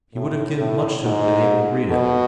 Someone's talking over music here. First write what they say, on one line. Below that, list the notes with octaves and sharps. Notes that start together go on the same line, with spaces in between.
He would have given much to have been able to read it.
A2
A2
G#2
B2